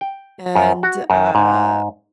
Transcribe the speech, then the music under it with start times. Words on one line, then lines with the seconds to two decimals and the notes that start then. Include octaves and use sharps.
And, uh,
0.01 G5
0.55 F#2
0.83 F#4
1.10 F#2
1.35 G#2